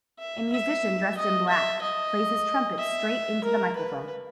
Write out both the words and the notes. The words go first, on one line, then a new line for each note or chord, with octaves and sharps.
A musician dressed in black plays his trumpet straight into the microphone.
E5
E5
D#5
E5
D#5
E5
A#4
B4